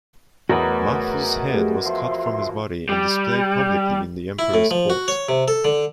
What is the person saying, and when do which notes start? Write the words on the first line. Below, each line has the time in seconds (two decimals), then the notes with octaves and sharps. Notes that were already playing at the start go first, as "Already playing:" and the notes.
Mahfuz's head was cut from his body and displayed publicly in the Emperor's court.
0.49 E2 F#3 A3 D#4 F#4 A#4 B4
1.54 A3 G4 G#4
1.85 F3 E5 C6
2.89 G3
4.39 E4
4.54 A2
4.71 F3
4.90 F#4
5.08 C#5
5.29 C3
5.48 A4
5.65 D3